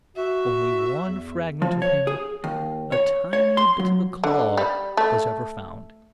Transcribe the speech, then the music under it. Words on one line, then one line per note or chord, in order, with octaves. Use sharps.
Only one fragment of him, a tiny bit of a claw, was ever found.
F#4 E5
E2
F3
C#5
G#4
D#2
C#5
C#5
C6
F#3
D3
G3
A3